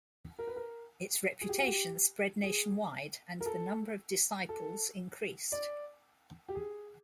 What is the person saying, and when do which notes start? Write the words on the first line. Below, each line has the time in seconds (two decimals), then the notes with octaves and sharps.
Its reputation spread nationwide and the number of disciples increased.
0.39 A#4
0.47 B4
0.56 A#4
1.41 G#4
1.49 G4
1.58 F#4
1.66 G4
2.43 G#4
3.41 A#4
3.46 A4
4.49 A4
5.52 D5
6.49 G4
6.55 G#4